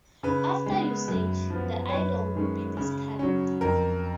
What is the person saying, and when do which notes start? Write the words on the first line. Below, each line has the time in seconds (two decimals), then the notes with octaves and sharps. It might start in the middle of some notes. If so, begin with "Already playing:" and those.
After usage, the idol would be discarded.
0.23 C#3 B4
0.66 G#3 B3
1.08 F#2
1.50 F3 B3
1.89 C#5
1.93 F#2 B4
2.35 D#3 G#3 C#4
2.77 C#3
3.19 F#3 C#4
3.61 F2 A#4